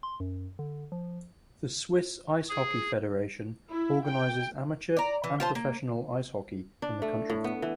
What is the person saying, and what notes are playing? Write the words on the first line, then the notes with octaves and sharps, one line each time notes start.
The Swiss Ice Hockey Federation organizes amateur and professional ice hockey in the country.
C6
F#2
D3
F3
G#4
E4
G5
D5 A#5
E3
F4 C5 A5
A#3
D4
A3
A2
B3
E3